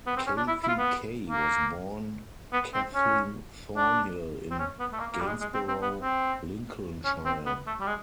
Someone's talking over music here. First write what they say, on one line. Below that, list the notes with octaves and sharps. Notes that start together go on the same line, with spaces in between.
Kathie Kay was born Kathleen Thornhill in Gainsborough, Lincolnshire.
B3
C4
C#4
D4
E4
E4
F4
B3
A#3
B3
C4
C#4
D4
C4
C#4
B3
A3
A#3
A#3
G3
G#3
G#3
C4
C4
B3
C4
C#4
C4
B3
A3
G3
G#3